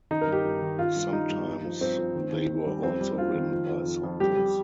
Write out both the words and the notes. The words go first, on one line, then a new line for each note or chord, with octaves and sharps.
Sometimes they were also ridden by soldiers.
D#3 D#4
A#4
G2
G4
G2
D#3
D#3 F4
G2
G3 D#4
G2
G2
F3
G2 C4
F3
D#3
D#2
D#3
G3
F2 C4
G3
G3 F4
D#3
F3
F2
F2
F2
G3 G4
G3